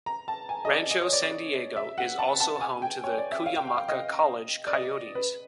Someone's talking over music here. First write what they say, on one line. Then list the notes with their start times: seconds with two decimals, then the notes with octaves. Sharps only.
Rancho San Diego is also home to the Cuyamaca College Coyotes.
0.06 A#5
0.28 A5
0.49 G#5
0.65 D#5
0.69 D5
0.91 D#5
1.02 C#5
1.13 D5
1.23 D5
1.76 E5
1.98 F#5
2.19 A5
2.40 A5
2.61 G#5
2.82 G5
3.04 C#5
3.18 D5
3.32 E5
3.46 F5
3.56 G5
3.67 G5
3.77 F5
3.89 D#5
4.67 D5
4.73 D#5
5.15 B4